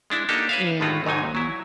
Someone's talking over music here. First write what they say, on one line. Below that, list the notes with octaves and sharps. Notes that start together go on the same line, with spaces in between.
and, um
G#3 D4 E4
A#3 D4 D#4 F#4 G4 A4
B4 C#5 E5 F5
G1 A2 G#3 A3 F4 F#4
C2 G#2 F#3 D#4 G#5
F#3 E4